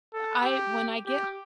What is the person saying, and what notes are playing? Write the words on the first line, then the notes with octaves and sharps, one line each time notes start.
I when I get h
A4
G4
G4